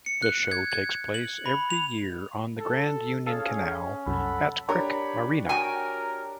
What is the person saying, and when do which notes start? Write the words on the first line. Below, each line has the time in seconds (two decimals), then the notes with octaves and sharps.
The show takes place every year on the Grand Union Canal at Crick Marina.
0.06 C#7
0.22 F#6
0.51 G#6
0.72 G#6
1.14 F#7
1.46 B5
1.70 F7
2.59 A4
3.27 C#4 G#4 A4 F5
4.07 C2 F#2 A4 F#5 B5
4.69 D4 G4 A#4 C#5 B5
5.49 F#4 A#4 G5 G#5